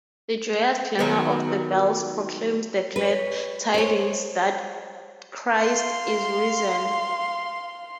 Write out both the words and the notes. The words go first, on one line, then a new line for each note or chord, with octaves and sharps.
The joyous clangor of the bells proclaims the glad tidings that Christ is risen.
D#3 F#3 B3
F#3 F#4 B4
C5 C#5
F5 C6